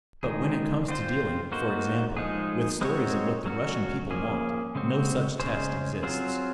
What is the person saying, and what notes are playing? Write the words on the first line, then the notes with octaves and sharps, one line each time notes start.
But when it comes to dealing, for example, with stories of what the Russian people want, no such test exists.
D#3 G#3 D#4 G#4
C4 F4 C5
A#3 D#4 F#4 C5
F3 G#3 D#4 G#4
G#3 C4 D#4 F#4 C#5
F#3 C#4 F#4
F3 A#3 C#4 G#4
C#3 G#3 C4 F#4
C#3 G#3 C#4 G#4 C5
F#3 C4 F4 G#4 C5